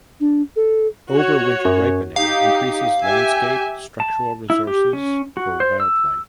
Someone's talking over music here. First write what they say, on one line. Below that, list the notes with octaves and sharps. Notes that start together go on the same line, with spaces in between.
Overwinter ripening increases landscape structural resources for wildlife.
D4
A4
F#4 C#5
F#2
D#4 G4 F5
G4 E5 G#5
A5
E4
G4
C#4
F#4
C5
E6